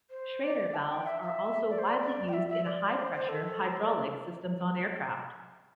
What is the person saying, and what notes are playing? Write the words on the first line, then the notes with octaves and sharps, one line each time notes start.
Schrader valves are also widely used in high-pressure hydraulic systems on aircraft.
C5
D5
A5
G5
E5
E5
D5
C5
D5
D5
G5
E5
E5
D5
C5
C5
A4
D5